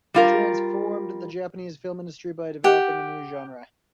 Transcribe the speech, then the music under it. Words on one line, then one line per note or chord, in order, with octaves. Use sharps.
He transformed the Japanese film industry by developing a new genre.
G3 F4 A#4
G4 F#5